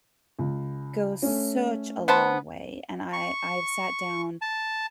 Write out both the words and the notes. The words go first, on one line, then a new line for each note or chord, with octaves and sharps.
goes such a long way, and I I've sat down
C#2
A3 C#4
B3 C5 A5
C#6
A5